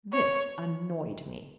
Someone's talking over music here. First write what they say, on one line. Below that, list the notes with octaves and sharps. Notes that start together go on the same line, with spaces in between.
This annoyed me.
C#5